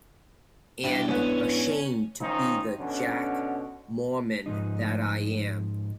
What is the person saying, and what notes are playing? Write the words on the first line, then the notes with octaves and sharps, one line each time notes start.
And ashamed to be the Jack Mormon that I am.
C2 E3 D4 E4 G4
G#2 B3 C#4
D#3 F3 C#4 D#4
B2 D3 C#4
G#2 F3 D#4